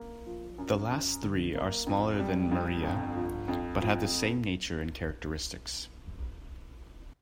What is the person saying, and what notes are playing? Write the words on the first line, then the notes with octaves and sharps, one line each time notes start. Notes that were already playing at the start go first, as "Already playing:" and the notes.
The last three are smaller than maria, but have the same nature and characteristics.
Already playing: A#3
F3
F#2
F#2
D3
A#3
F2
G3
F2
G1
F3
F2
F3